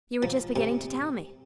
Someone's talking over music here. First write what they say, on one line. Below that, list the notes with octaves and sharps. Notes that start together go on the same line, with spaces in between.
"You were just beginning to tell me."
F3
C3